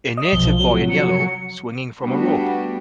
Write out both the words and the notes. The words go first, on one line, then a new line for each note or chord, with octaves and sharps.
A native boy, in yellow, swinging from a rope.
D#5
B1 F3 G7
C3 F3 F#3
C#7
G3 A3 B3 D4 F#4 G4